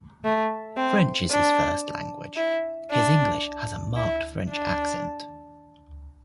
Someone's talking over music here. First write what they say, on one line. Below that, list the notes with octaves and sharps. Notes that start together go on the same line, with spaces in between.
French is his first language; his English has a marked French accent.
A3
C4
D4
E4
D4
E4
D4